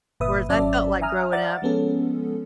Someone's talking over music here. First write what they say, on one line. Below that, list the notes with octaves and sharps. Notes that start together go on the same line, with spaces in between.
Whereas I felt like growing up,
G1 A#2 B4 E5 D#6
G#1 F#3 C#4 D5 E5 A5
E5 G#5 A#5 D#6 F6
D5 E5 F#5 A#5 D6 A6
F3 G#3 B3 C#4 A4